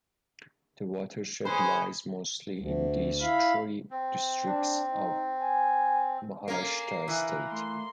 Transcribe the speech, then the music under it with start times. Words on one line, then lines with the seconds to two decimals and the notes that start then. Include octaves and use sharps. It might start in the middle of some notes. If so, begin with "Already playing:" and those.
The watershed lies mostly in these three districts of Maharashtra state.
1.45 C#4 G#4 B4 C5
2.59 D2
3.21 E4 F5 B5
3.91 C4
4.46 D4
4.91 D#4
5.41 G#5
6.48 A#3 C#4 A#4 C7
7.08 E3 A#4 B4
7.51 A3 C6